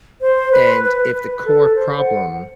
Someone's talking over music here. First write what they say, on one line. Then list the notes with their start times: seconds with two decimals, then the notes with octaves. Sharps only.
and if the core problem
0.21 C5
0.52 B4
0.84 B4
1.15 B4
1.45 A4
1.75 C5
1.99 F#5